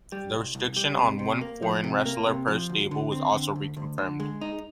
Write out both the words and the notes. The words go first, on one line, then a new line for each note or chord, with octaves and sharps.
The restriction on one foreign wrestler per stable was also reconfirmed.
G3
C2
C2
G3
C3
C3
A#3
F3
C3
A#3
C3
F3
D2
D3
C4
D3
D2
D2
D3
G#3
D#4